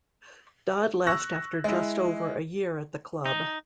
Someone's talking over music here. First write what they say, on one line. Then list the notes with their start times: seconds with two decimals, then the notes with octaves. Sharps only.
Dodd left after just over a year at the club.
1.07 C#6 E6 F#6 A#6
1.64 G#3 E4
3.26 D#4